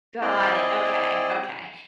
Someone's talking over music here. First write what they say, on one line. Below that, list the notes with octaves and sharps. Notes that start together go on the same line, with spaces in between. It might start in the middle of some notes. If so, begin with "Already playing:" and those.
Got it. Okay, okay.
C4 E4 G#4 D5 D#5 G5